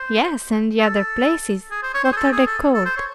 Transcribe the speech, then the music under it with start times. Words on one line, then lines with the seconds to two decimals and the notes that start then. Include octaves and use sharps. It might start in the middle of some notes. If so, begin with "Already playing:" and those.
"Yes, and the other places; what are they called?"
Already playing: C5
0.80 A4
1.71 G#4
1.83 C5
1.94 C#5
2.05 C5
2.12 G#4
2.16 A4
2.32 G#4
2.47 A4
2.74 A4
2.86 C5
2.97 C#5